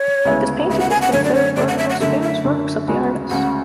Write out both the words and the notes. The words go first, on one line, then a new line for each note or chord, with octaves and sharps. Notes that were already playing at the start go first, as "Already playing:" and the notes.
This painting is considered one of the most famous works of the artist.
Already playing: C#5
D2 C#3 G#3 B3 E4
D2 C#3 G#3 B3 E4 E5
F#5
G#5
F#5
F#2 D3 A3 C#5
D5
C#5
F#2 D3 A3 D5
F#5
E5
F#5
F#2 D3 A3 E5
E5
F#2 D3 A3
D2 C#3 G#3 C#4 F#4
D2 C#3 G#3 C#4 F#4 F#5